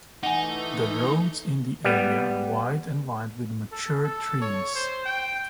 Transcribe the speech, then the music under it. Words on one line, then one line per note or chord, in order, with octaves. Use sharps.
The roads in the area are wide and lined with mature trees.
E3 A3 D#4 F#5 G#5
G3 B3
A4
A4
C#5
C5
G5